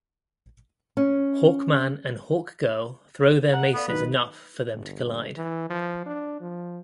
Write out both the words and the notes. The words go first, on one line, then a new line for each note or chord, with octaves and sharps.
Hawkman and Hawkgirl throw their maces enough for them to collide.
C#4
F#5 A#5
B3 A4 D5 F5
B1 D#3 D#4 B4
G1
E3
F3
D4
F3